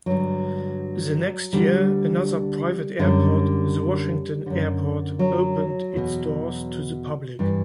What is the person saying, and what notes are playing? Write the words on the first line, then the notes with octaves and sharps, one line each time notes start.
The next year, another private airport, the Washington Airport, opened its doors to the public.
G2 D3 F#3
D2 D3 G3
F#2 D3 G3
F#2 D3
F#3
E2 B2
G2 E3